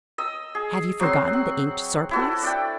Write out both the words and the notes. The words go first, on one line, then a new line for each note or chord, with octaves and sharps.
"Have you forgotten the inked surplice?"
D#5 E6
G#4
F#3 C4 F#4 C6
F#5
E4 F#4 A4
D4 D5 G5